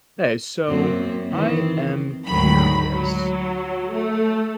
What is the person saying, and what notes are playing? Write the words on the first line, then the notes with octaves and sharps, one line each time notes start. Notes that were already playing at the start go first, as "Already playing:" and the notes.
Hey, so, I am curious.
F#2 A#3 C4
D#3 E3 C4
D2 G#2 D#3 F#3 B5
F#3
A3